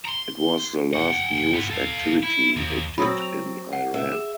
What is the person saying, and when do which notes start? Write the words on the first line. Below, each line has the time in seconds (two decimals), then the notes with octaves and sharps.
It was the last news activity he did in Iran.
0.05 A#5 C6
0.93 F#5 G5
1.54 B3 F4
1.71 A4 F5
2.23 E4
2.57 D#2
2.98 F#3 C4 B5 D#6 E6
3.22 F7
3.73 F#5
3.94 E5
4.12 G#4